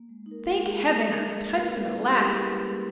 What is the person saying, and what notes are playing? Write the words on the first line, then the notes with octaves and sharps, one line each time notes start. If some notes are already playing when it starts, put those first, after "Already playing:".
Thank Heaven, I've touched him at last!
Already playing: A#3
G#3
D#4
A#4
G#3 A#4
G#4
G#3
D#4 A#4
G#3
D#4
G#3
A#3 A#4
B4
E4 A#4
G3
C#4
G4
C#4 G#4
A#3
E4
G3